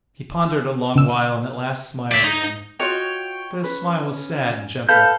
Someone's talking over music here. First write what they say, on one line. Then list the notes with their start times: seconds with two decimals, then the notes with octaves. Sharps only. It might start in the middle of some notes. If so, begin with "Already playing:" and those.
He pondered a long while and at last smiled again, but his smile was sad and gentle.
0.96 C#3 E6
2.12 D5 E5
2.24 D#4
2.80 F4 F#4 C#5 D#5 G5
3.64 C#4 B4
4.89 A4 B4 F5 G6